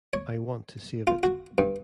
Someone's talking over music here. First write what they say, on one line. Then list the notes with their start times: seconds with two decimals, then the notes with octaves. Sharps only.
I want to save it.
0.13 C#5
1.07 F4
1.23 F#4
1.58 G2